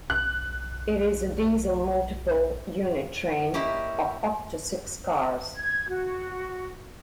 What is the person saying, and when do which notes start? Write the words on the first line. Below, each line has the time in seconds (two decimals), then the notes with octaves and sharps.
It is a diesel multiple unit train of up to six cars.
0.10 B1 F#6
3.54 A#3 C#4 E4 G4 D#5
5.57 G#6
5.88 F#4